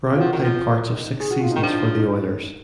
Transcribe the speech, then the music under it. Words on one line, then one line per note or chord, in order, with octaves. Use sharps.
Brown played parts of six seasons for the Oilers.
F4
F3 F#4
D#3
F3
D#4
G#4
F#4
F4
D#3 D#4
F3 D4
D#4